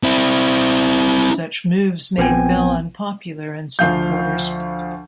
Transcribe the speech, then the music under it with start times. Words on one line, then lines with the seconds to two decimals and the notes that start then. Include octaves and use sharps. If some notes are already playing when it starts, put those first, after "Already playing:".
Such moves made Bell unpopular in some quarters.
0.03 C4 E4
2.18 A#1 F3 B3 C4 G5 G#5
3.79 D2 F3 F5 G6